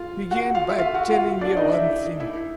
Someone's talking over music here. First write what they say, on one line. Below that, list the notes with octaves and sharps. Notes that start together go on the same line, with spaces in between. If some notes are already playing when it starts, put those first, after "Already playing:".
Begin by telling me one thing.
Already playing: F4 F5
F#4 F#5
F4 F5
E5
F4 F5
F#4 F#5
F4 F5
D4 D5
D#4 D#5
E4 E5
E4 E5